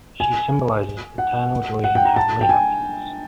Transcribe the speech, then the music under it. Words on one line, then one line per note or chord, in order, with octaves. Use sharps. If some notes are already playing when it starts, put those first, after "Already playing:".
She symbolizes eternal joy and heavenly happiness.
G#5
F#5
F#5
G5
A#5
A5
G5
G#5